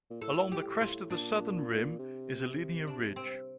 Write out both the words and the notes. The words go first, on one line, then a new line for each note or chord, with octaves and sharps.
Along the crest of the southern rim is a linear ridge.
A#2
A2 A4
G4
F4
A#2 D4
C3
D4
C4